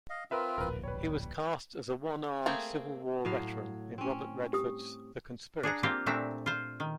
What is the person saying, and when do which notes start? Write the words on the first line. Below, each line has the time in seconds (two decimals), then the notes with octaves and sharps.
He was cast as a one-armed Civil War veteran in Robert Redford's "The Conspirator".
0.10 D#5 F5
0.31 C4 F4 A#4 B4 E5
0.58 D1 A#1 A#4 B4
0.84 G3 B4 C#5
2.46 A3 A#3 C4 G#4
3.25 A2 F#3 F5
3.98 C4 C#4
4.53 G4 D#6
5.63 D4 G#4 F#5 A#5
5.83 A#3 C4 F4 G4
6.06 A#2 A3 C4 D4 E5 A#5
6.46 F4 C5
6.80 D#3